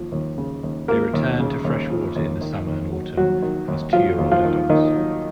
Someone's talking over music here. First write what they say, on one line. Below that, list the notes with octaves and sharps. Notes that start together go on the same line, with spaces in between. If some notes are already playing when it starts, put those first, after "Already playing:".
They return to freshwater in the summer or autumn as two-year-old adults.
Already playing: D#2 F3
D#2
C#3
D#2
F3 A#3 A#4
D#2
C#3
D#2
F3
D#2
D#3
D#2
F#3
D#2 F#3 F#4
D#3
D#2
F3 F#3 F4
D#2
F3 F4
D#3
D#2 D#3 D#4
F#3